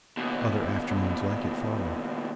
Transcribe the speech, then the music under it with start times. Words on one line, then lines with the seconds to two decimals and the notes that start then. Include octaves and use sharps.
Other afternoons like it followed.
0.17 D#2 B2